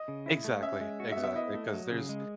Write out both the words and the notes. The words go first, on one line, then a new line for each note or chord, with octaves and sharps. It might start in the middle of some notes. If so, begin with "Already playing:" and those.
Exactly, exactly. 'Cause there's
Already playing: D#5
C#3
E4
A3
C#4 E5
G#3
F#4
E5
B3
E5
E4 D#5
A3
F#3
C#3
G#3